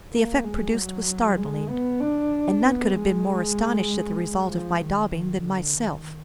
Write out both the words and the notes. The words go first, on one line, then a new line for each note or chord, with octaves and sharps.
The effect produced was startling, and none could have been more astonished at the result of my daubing than myself.
A#3
G#3
F#3
G#3
B3
D4
B3
G#3
F3
D#3
D#3
D3
D#3